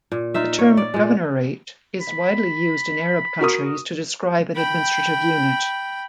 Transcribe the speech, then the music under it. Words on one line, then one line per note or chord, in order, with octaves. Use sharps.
The term governorate is widely used in Arab countries to describe an administrative unit.
A#2
D#4 F4 E5
C#5
D5
A#2 G#3
B5
F#4 A#4 D#6
G5 B5